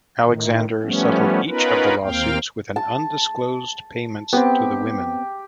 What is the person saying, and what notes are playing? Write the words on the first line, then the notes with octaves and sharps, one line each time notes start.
Alexander settled each of the lawsuits with an undisclosed payments to the women.
A2 D#3
F3 G3 A3 B3 C#4
B3 C#4 D#4 F4 A#4 B4
D#2 A#3 C4 F5 G5
A5
B3 C4 G4